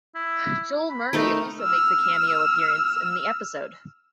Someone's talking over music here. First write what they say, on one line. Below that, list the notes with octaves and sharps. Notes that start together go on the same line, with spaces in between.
Joel Murray also makes a cameo appearance in the episode.
E4
B5
A3 D#4 A#4
E6 F6